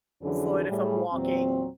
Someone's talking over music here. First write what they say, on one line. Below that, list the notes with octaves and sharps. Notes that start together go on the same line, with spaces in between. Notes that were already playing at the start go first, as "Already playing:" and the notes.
foot, if I'm walking,
F2 D3 E3 F#3 C#4 G#4
A2 G3 G#4
E2 A#2 F#3 C4